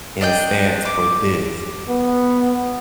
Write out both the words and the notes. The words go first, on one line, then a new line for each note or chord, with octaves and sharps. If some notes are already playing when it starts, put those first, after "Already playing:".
and stance for this."
D4 D#5 G5
D6
B3